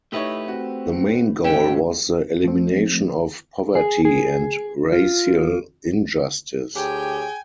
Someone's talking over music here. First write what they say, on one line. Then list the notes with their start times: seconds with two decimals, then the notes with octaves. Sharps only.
The main goal was the elimination of poverty and racial injustice.
0.12 A3 D#4 E4 G4 B4 C#5
0.48 C4 F#4
1.44 D#2 G#2 D3 C#4 G5 E7
2.44 F3 A3 C4
3.75 G#4
4.05 G#4
4.92 F4
6.75 D2 G4 G#4 C#5 G5 G#5